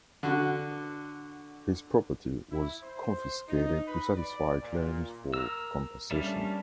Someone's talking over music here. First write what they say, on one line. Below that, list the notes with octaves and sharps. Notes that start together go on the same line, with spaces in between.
His property was confiscated to satisfy claims for compensation.
D3 F#4
E4
C5
D#4
B4
D5
A#2
A#4 E6
G3 A3 A#3 C#4 D4